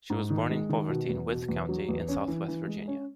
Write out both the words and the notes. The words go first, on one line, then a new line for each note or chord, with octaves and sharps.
She was born in poverty in Wythe County in southwest Virginia.
G#2
D#3
G#3
D#3
B2
E2
B2
E2
F#3
E2
C#4
E3
E3
G#3
C#4